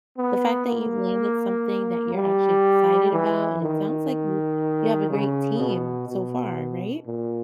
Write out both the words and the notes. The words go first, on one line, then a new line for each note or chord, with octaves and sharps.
the fact that you've landed something that you're actually excited about, and it sounds like you you have a great team so far, right?
B3
A#3
G3
E3
D#3
C#3
B2
B2
A#2